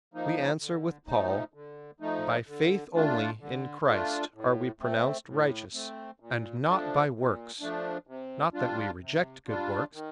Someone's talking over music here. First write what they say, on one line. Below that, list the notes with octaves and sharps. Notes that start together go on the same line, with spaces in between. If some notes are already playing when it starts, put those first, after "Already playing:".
We answer with Paul, "By faith only in Christ are we pronounced righteous, and not by works." Not that we reject good works.
F3 A#3 D#4
D3
F3 A3 D#4
D3
F3 A3 D#4
D3
A3 D4 F4
D3
A3 D4 F4
A2
A3 C4
A2
A3 C4
A#2
F3 A3 D4
A#2
F3 A3 D4
C3
G3 D4 F4
C3
G3 D4 F4
D#3